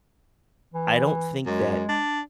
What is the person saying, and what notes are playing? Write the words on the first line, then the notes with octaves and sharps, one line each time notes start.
I don't think that
E3
F#2 G#3
D4